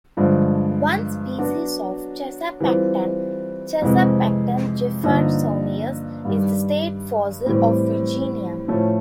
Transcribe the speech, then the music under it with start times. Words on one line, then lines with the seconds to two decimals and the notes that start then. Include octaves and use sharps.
One species of "Chesapecten", "Chesapecten jeffersonius", is the state fossil of Virginia.
0.17 G2 D3 F3 G#3
1.38 F#3 B3 D4 F#4
2.60 E3 G3 C4 F4
3.82 F2 C3 E3 G#3
5.03 G2 D3 F3 A#3 D#4
6.25 G2 D#3 G3
7.46 A2 E3 G3 C4
8.68 A2 F3 A3 C#4